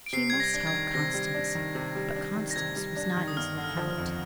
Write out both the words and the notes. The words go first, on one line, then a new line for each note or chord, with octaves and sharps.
She must help Constance, but Constance was not easily helped.
D7
C3 C7
G3 G#6
A#6
D4
G#6
D#3
C3 A#6
G3
D4
D#3
C3
G3
D4
D#3
A#6
C3 G#6
G3
D4
D#3
D#6
G1 F6
D3
F6
F3
F6
F2